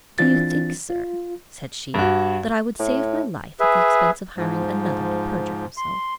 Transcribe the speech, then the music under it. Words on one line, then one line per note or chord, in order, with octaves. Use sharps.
"And do you think, sir," said she, "that I would save my life at the expense of hiring another to perjure himself?"
E3 C4 D4 F4 A6
F4
G2 F#4
A2
G#4 B4 E5
G#2 F3
C6